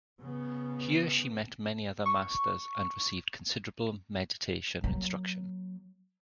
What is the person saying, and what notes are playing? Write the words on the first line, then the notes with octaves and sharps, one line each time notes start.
Here she met many other masters and received considerable meditation instruction.
C#3 B3
C#6
F#3 A#3